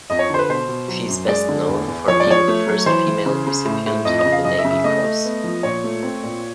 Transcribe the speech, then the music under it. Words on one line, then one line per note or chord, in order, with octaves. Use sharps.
She is best known for being the first female recipient of the Navy Cross.
F2 D#5
C#5
D3 C5
B4
B2 C5
B2
F#3
F#2
G#3 D5
D3
E2
E2
F3 C#5
D5
F3 C#5
A3
F#3
E3 C5
E3
C#3
C#3
A2
A2
F2 D#5
D#5
C#3
F5
F#2 D#5
E5
C#3
E5
A3 D#5
A3
B3
F3
A#2 C#5
A3
C4
A#2